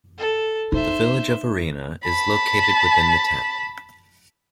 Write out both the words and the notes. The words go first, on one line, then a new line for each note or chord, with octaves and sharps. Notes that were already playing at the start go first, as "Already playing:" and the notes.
The Village of Arena is located within the town.
A4
D#4 C5 E5
A5 B5